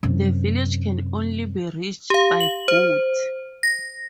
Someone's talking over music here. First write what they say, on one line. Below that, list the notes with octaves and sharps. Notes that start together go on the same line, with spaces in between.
The village can only be reached by boat.
F#2 C3
G4 F5
F#7
C5
A#6